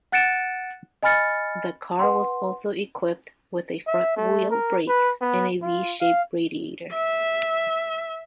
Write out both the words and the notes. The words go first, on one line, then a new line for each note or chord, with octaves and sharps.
The car was also equipped with front-wheel brakes and a V-shaped radiator.
F#5 F#6 A6 C#7 D7 E7
D#5 G#5 B5 F6 A6 C#7
B4 F#5 C6
E5
A3
A#4
B4
B3
F4
F5
E5